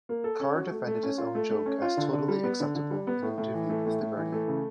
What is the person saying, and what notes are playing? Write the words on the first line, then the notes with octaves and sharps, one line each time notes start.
Carr defended his own joke as "totally acceptable" in an interview with "The Guardian".
A#3
A4
C#4
F#4
A3
A3
C#4
F4
A3
A3
C#4
F4
D3
D3
G3
B3
D3
D3
G3
B3
A2
A2
E3
A3
A2
A2
E3
A3
C#3